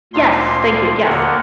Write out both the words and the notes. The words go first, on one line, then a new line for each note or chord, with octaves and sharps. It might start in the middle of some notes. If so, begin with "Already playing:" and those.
Yes, thank you, yes,
D2 A#2 C6
D#2 D3 A#4 C#5 F#5